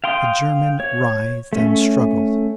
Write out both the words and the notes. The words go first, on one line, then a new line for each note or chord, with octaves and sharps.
The German writhed and struggled.
F5 G5 C6 D#6
C#5
A3 C#4